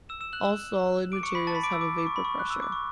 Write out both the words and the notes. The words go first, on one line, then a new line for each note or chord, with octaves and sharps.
All solid materials have a vapor pressure.
E6 E7
E6 E7
F#6 F#7
E6 E7
D6 D7
C#6 C#7
B5 B6
A5 A6
B5 B6
D6 D7
E6
D6
D6
C#6
B5
C#6
F#6
E6
D6
C#6